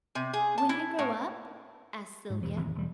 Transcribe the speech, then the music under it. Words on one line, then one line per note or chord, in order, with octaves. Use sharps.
"When I grow up?" asked Sylvia.
C3
G#4
A5
E4
A2
G#2
E1 F2 F3
A1 D#2
E1 G3